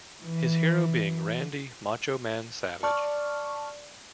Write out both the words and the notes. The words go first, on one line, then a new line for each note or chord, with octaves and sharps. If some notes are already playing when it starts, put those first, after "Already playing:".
His hero being Randy "Macho Man" Savage.
E3
D5 A5 C#6 F6